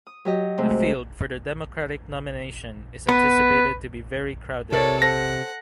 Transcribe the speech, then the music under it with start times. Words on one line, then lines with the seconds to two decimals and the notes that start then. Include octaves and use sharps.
The field for the Democratic nomination is anticipated to be very crowded.
0.07 D#6
0.25 F#3 G4 D#5
0.57 G#2 C3 G#3 A3
3.08 B3 B4 B5
4.72 C3 E4 A4 A#4 C#5 D5
5.02 A4 C5 F#5 A5 A#6